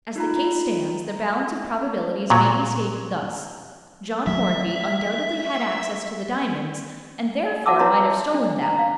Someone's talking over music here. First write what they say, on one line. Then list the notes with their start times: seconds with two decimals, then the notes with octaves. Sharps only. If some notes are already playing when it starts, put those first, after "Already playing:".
As the case stands, the balance of probabilities may be stated thus: John Hornby undoubtedly had access to the diamonds, and therefore might have stolen them.
0.16 D#4 F4 A#5
2.30 A#2 F#3
4.27 F#3 A3 E5
7.66 F#4 E5 F#5 A5 D6 E6
7.79 E4 B4 C#5 A5 A#5 C6
8.34 D4
8.63 A#5
8.79 F5